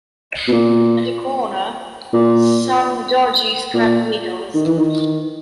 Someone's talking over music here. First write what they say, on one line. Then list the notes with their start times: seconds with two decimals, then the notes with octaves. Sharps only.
At a corner, some dodgy scrap metals.
0.48 B2
0.52 A#2
2.13 A#2
3.74 A#2
4.55 D#3
4.65 E3
4.78 D#3